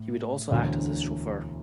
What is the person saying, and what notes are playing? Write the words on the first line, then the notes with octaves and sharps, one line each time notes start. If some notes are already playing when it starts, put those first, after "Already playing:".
He would also act as his chauffeur.
Already playing: A2
E1 D2 D3